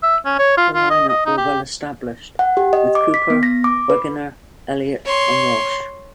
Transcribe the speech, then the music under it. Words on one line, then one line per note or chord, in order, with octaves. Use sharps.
The line-up were "well-established" with Kuepper, Wegener, Elliot, and Walsh.
E5
C#4
C#5
F4
F4
D#5
D#5
D#4
G4
F#5
G4
D#5
D6
B6
B3
A#6
D6
B4
C#5 C6